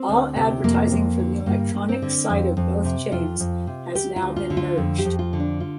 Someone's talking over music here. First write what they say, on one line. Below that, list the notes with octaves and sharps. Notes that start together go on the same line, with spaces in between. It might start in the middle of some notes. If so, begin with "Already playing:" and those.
All advertising for the electronics side of both chains has now been merged.
Already playing: C4
D2
C3
F2 A#3
F2
D3
G2 A#3
G2
C4
D3
F2
F2
C3
F2 F4
F2
C3
D2 G4
F4
D2
F4
D3
F4
F2
G4
F2
F4
D3
D4
F4